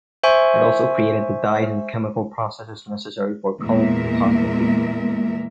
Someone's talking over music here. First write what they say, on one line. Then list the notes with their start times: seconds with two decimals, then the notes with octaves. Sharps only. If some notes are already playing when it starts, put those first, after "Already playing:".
It also created the dyes and chemical processes necessary for color photography.
0.24 C5 E5 G#5 C#6
3.61 E2 A#2 G#3 A#4 E5